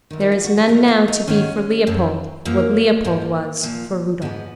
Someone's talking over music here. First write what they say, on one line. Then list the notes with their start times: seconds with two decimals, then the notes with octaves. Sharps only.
There is none now to be for Leopold, what Leopold was for Rudolph.
0.11 F#2 D#3
0.20 D#4
0.32 F4
0.44 F#4
0.57 G#4
0.68 G#2 F3 A#4
0.88 F4
1.08 D#4
1.27 G#2 D#3 C#4
1.87 F#2 F3
2.45 F#2 F3 A#3
3.05 G#2 F3
3.63 A#2 F3
4.22 G#2 F3 B3